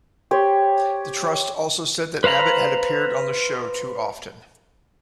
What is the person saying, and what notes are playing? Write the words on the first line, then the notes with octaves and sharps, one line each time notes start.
The Trust also said that Abbott had appeared on the show too often.
G4 C#5 C6
B4 C5 F5 A#5 B5